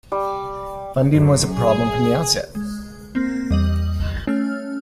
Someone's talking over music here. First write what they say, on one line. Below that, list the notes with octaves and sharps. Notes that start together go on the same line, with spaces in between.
Funding was a problem from the outset.
G3
F#2
G#4
G#3
A#3 C4
E2 G3 D#5 F#7
A3 C#4 F6